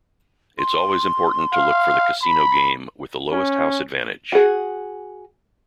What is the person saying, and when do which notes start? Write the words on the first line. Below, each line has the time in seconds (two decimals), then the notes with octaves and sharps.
It's always important to look for the casino game with the lowest house advantage.
0.58 C6
1.53 F5
2.22 B5
3.32 C#4
4.32 F#4 G#4